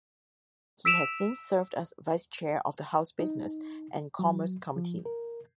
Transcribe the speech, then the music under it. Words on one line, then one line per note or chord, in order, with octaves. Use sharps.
He has since served as vice chair of the House Business and Commerce Committee.
E6 B6 D7 E7 F7
D#4
F#3
F3
A#4